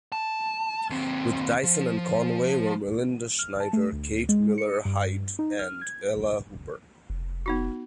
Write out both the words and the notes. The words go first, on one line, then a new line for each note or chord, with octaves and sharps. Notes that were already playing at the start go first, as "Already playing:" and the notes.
With Dyson and Conway were Melinda Schneider, Kate Miller-Heidke and Ella Hooper.
A5
D#2 C4
F3
F6
A5
A3
D2
G#3
C#7
G2
D#4
F6
G#6
F1
B3 D#4 F#4